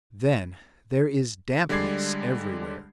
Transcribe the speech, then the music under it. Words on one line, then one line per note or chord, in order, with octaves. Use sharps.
Then there is dampness everywhere.
D3 G3 G#3 D5 G#6 C7